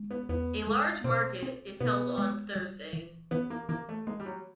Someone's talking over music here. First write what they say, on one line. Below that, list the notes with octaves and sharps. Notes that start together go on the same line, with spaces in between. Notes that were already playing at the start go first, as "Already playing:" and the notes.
A large market is held on Thursdays.
Already playing: G#3
B3
E2 B3
G#3
B2 C4
C4
B2 B3
G#3
G3
E3
E3 B3
A#3
E3 A#3
A3
G#3 A#3
G3
F#3